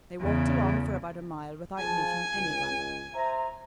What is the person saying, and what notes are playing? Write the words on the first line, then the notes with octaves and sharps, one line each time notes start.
They walked along for about a mile without meeting anyone.
E2 C#3
F3 G#4 G#5 A5
C#2
C5 E5 A#5